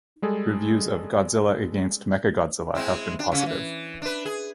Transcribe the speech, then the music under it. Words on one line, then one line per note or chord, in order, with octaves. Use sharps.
Reviews of "Godzilla Against Mechagodzilla" have been positive.
G3 G#3 G#4 A4
G#3 C4 E4
D4
C#3 C#4
E3
D4 B4
G#4